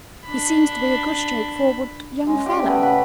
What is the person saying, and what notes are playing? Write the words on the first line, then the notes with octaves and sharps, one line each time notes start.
"He seems to be a good straight-forward young fellow."
D4 B5
G#3 C#4
G4 D5 G5
A3 B3
C#3 F#5 B5